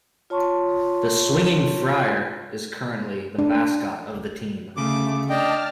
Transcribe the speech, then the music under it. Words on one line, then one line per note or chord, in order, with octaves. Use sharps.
The "Swinging Friar" is currently the mascot of the team.
F4 C#5 A5 C6 C#6
D4
D2 C#3 A3 D6
D4 D#5 G5 A5 F6